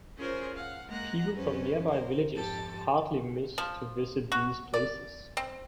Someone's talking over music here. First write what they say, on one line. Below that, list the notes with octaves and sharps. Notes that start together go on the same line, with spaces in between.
People from nearby villages hardly miss to visit these places.
C#4 F4 G#4 A#4 C5 C#5
F5 F#5
G#3 A#3 F#5 A#5 F#6
F#2 C#4 B4 C5
A#4 C5
F2 G#2 G4 A4 A6
F3
F#4
D5
C4